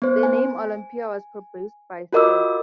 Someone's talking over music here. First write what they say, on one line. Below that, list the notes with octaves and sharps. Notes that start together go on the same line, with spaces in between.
The name "Olympia" was proposed by Stagg.
B3 C5
G#5
F4 F#4 A#4 D#5 D6 E6